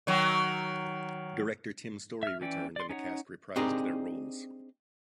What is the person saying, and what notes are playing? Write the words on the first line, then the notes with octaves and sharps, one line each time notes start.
Director Tim Story returned, and the cast reprised their roles.
D#3 F#3
E5 F6
E3 C#4 D5 G5
D5 C6
C#4 D#4 C#5 F#5
C4 D4 D#4 G4 G#4 A#4